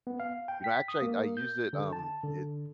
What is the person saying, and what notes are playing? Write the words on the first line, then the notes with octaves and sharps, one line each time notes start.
you know, actually, I I used it, um, it
B3
F5
G5
B6
D#6
A#3
G6
D3
A5
D3